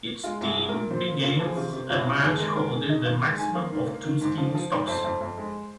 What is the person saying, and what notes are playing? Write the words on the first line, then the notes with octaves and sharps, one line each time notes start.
Each team begins a match holding the maximum of two Skill Stocks.
G#3 F4
C2
G#4
C2
A#2 A#4
A#2 C5
A#3
A#2 F4
F3
G#4
C3 F4
C3
C2 F4
C2
D#2 G#4
G#3 A#4
D#2 A#4
D#2 G#4
D#3 D#4
D#2 F4
G#3 F5
D#3 G#5
A#3 F5
G#2
A#3
D#3
G#2
F3
F3
G#2
F2 C5
F2
F2
G#3